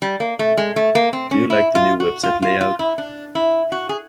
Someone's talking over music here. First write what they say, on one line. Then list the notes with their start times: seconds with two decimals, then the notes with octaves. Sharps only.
Do you like the new website layout?
0.02 G3
0.20 A#3
0.39 A3
0.57 G#3
0.76 A3
0.95 A#3
1.13 C4
1.31 C#4
1.50 E4
1.75 F4
2.00 F#4
2.23 F4
2.42 F4
2.61 F4
2.79 E4
2.98 D4
3.35 E4
3.72 F#4
3.89 G#4